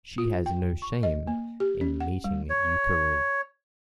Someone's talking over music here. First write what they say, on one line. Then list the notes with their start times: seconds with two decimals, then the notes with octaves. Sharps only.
She has no shame in meeting Yukari.
0.18 F4
0.46 G5
0.82 C#6
1.03 D#5
1.27 A#3
1.60 G4
1.81 C#4
2.00 F#5
2.24 G3
2.50 C#5